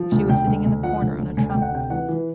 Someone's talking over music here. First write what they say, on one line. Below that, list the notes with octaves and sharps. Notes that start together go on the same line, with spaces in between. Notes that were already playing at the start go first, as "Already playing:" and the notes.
She was sitting in the corner, on a trunk.
Already playing: F3
D2
D2 G5
D2
D2
F3 F#5
D2
D2
D2 G#5
G5
D2
F#5
C3 G5
E3 F#5
E3